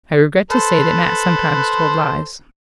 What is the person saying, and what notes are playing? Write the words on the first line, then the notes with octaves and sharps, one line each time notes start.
I regret to say that Nat sometimes told lies.
A4 B4 C5